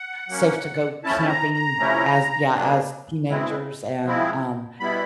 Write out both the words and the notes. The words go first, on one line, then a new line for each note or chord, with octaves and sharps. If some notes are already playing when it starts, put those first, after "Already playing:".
safe to go camping as Yeah, as teenagers and, um,
Already playing: F#5
F#3 A#3 C#4
F3 A3 C#4 E4 A5
A#5
A#5
C3 F3 A3 C#4 E4
B2 F#3 A#3 D4
B2 G#3 C4 E4
F3 G#3 C4 E4
B2 G3 B3 E4 B5